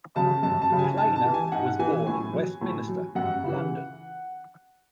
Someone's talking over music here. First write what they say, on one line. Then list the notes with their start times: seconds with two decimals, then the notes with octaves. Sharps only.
Planer was born in Westminster, London.
0.16 C#3 F#3 A5
0.43 F#2 A5
0.62 A5
0.70 C#3 F#3
0.79 G#5
0.97 G#2 A5
1.16 A5
1.25 E3
1.34 G#5
1.52 G#2 F#5
1.79 E3 G#5
2.07 A2 G#5
2.34 F#3
2.61 A2
2.88 F#3
3.15 F#2 F#5
3.43 C#3 E3